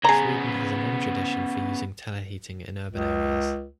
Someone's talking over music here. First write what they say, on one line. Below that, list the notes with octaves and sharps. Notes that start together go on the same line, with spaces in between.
Sweden has a long tradition for using teleheating in urban areas.
C#3 B3 G#4 A#5
C#2